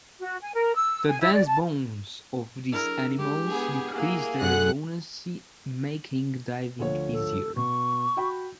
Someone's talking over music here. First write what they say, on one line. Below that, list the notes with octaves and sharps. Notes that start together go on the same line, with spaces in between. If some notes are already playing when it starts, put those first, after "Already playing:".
The dense bones of these animals decreased their buoyancy, making diving easier.
F#4
G#5
A#4
E6
G#5
E4
D5
A5
D4 E4 G#4 A#4
G#3 G4
B3 G#4
A#3 E4 G#4 F#5
F#2 A3 D4 F#5 F#6
D2 F3 C#5
A4
B2 C#6
F#4 G5 B5